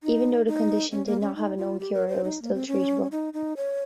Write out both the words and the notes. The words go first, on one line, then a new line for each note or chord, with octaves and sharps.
Even though the condition did not have a known cure, it was still treatable.
D#4
D#4
C#4
A#3
C#4
D#4
F4
G4
A#4
C5
D#4
A#3
C4
C#4
D#4
D#4
C#5